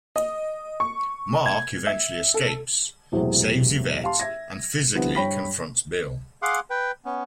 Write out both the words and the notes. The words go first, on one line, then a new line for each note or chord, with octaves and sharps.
Mark eventually escapes, saves Yvette, and physically confronts Bill.
D#5
C#6
G#6
E5
A4
E1 A2 C3 F#3 C4 G#4
F5 A5 C6
E5 G#6 A#6
D3 F3 G3 B3 C4 E4
G2 C#5 G5 B5 A#6 B6
G#4 F5 F#5 C6 D6
B4 G5
B3 C#4